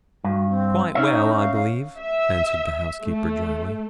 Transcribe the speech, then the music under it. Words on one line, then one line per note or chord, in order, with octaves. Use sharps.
'Quite well, I believe,' answered the housekeeper, drily.
G2 F#4
C4
C#4 D#4 C#5 E5
F5
F5
E5
A3